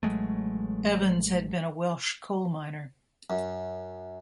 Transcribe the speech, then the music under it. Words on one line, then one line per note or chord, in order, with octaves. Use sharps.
Evans had been a Welsh coal miner.
A1 F#3 G#3 A3
F#2